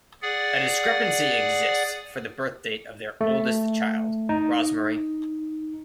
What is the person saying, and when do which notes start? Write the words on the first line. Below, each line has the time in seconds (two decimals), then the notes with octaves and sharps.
A discrepancy exists for the birth date of their oldest child, Rosmarie.
0.22 G#4 D5 F#5
3.21 A3
4.29 D#4